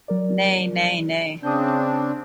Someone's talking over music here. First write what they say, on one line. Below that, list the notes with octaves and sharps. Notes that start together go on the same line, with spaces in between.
Ne, ne, ne.
F#3 A#4 D5
C#3 C4 D4 D#6 G6